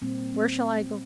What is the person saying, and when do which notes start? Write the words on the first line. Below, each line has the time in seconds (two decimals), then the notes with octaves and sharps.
Where shall I go?
0.01 A#2 G3 A#3 C4
0.34 C4